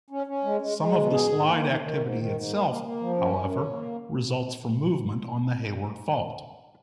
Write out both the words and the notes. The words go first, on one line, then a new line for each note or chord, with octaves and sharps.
Some of the slide activity itself, however, results from movement on the Hayward Fault.
C#4
C#4
G#3
G#3
G#3
B2
G#4
G#2
A#3
D#3
D#3
G#2
D#3
G#2
A#3
A#3
A#3
F3
C#4
F#2
C#4
A#3